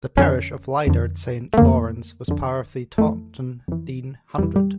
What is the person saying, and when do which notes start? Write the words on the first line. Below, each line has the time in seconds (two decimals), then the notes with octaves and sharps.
The parish of Lydeard Saint Lawrence was part of the Taunton Deane Hundred.
0.17 F2 D3 C#4
0.87 F2 D3
1.53 A3
1.58 F2 D3 A#3
2.28 F2 D3
2.98 F2 E3 A3
3.68 F2 E3
4.38 F2 E3 G3
4.56 G3